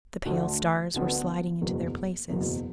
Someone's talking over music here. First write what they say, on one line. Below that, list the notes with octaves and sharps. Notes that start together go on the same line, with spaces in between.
The pale stars were sliding into their places.
D2 D3 A3 F#4
D2 D3 B3
F#1 E2 B2
F#1 E2 B2 F#3